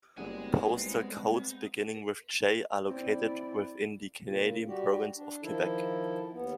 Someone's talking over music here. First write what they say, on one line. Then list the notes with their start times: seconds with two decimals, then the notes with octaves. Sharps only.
Postal codes beginning with J are located within the Canadian province of Quebec.
0.17 F#1 G3 G#3 B3 C4 G#4 F#5 G#5
2.90 C4 E4 D5
4.23 A#2 C#3
4.68 G3 F#4 G4
5.16 D4
5.43 D#3 F3 E4 A4
6.33 D#2 B3